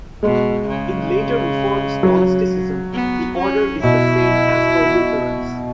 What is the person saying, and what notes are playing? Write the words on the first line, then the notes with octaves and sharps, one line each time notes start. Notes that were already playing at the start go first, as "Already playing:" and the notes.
In later Reformed scholasticism the order is the same as for Lutherans.
B2 G#3
C#3
F#3
B3
C#4
B2 E4